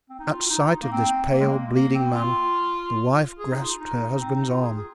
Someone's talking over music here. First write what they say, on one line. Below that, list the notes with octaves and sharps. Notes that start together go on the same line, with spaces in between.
At sight of this pale, bleeding man, the wife grasped her husband's arm.
C4
D#4
F4
F4
D#4
A#3
C4
A#3
G#3
A#3
A#3
C4
F4
G#4
D#4
F4
D#4
C4
D#4
F4
G#4
G#4